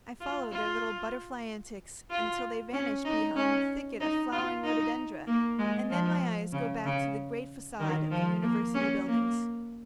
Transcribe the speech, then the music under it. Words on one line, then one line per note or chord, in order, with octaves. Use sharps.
I follow their little butterfly antics until they vanish beyond a thicket of flowering rhododendra, and then my eyes go back to the great facade of the University buildings.
F4
F4
F4
C#4
D#4
C#4
D#4
F4
D#4
A#3
G#3
F3
C#3
C#3
D#3
F3
A#3
C#4
A#3